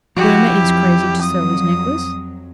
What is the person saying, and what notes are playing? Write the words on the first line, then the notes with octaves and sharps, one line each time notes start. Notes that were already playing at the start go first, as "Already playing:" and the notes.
Boehmer is crazy to sell his necklace.
F3 E4 F#4 G4 F#5
F2 F#3
D#6